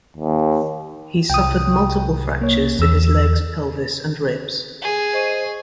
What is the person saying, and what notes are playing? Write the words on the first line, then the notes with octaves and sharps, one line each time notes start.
He suffered multiple fractures to his legs, pelvis and ribs.
D#2
C2 G5 D#6
A#3 C#5
E2 E6
G#4
C5 D#5 C#6